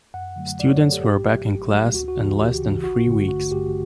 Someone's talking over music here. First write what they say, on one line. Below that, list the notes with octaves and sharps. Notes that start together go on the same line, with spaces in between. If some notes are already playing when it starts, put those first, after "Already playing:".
Students were back in class in less than three weeks.
F#2 F#5
D3 F#3 A3
F#2 D5
C#5
D3 F#3 A3 A4
G4
A1 G4
A2 F#3 A3
A1
A2 F#3 A3
D2 F#4
F#4
C#3 E3
D2 G4
C#3 E3
A1 F#4
G2 D3 A3
A1 F#4
G2 D3 A3 G4